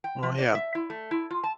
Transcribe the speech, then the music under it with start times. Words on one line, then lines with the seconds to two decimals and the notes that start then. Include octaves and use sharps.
Well, yeah.
0.04 G5
0.23 F3
0.39 D5
0.55 E5
0.75 E4
0.90 A3
1.11 E4
1.31 F4
1.44 A5